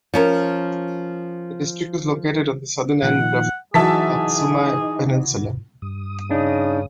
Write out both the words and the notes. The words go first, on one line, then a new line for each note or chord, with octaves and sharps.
The district is located on the southern end of the Matsumae Peninsula.
F3 C#4 A#4
A#2 D#3 F3 F#5
E3 F#3 D#4 G#4 E5 A5 B6
G2 D#6
C#3 D4 D#4